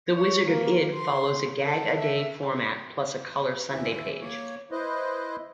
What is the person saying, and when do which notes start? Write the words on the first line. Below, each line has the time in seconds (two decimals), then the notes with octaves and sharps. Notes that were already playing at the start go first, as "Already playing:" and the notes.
"The Wizard of Id" follows a gag-a-day format, plus a color Sunday page.
0.15 C#5
0.49 A#3
0.94 C6
1.65 A4
1.99 E5
3.68 D#2 E3 E5
4.21 A#3 C#5
4.71 E4 B4 C5 D#5